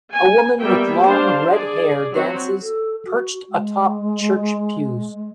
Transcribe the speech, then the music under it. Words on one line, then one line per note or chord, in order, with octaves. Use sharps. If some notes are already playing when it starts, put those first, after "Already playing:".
A woman with long, redhair dances, perched atop church pews.
G#5
G3 A#3 B3 E5 G5
D4 C5 F5
G#4 D5
F#3 C4 F#4
A4
F#4
G#3